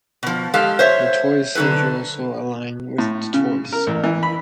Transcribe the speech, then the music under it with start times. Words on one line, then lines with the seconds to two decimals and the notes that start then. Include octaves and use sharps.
The Toy Soldier is also aligned with the Toys.
0.23 B2 F3
0.54 G#3 G4 A4 F5
0.79 C5 C#5 E5
1.55 D3 F#3 F4 A4 B4
2.98 A2
3.34 C#3
3.72 A#4
3.87 A1
4.04 E3
4.23 B5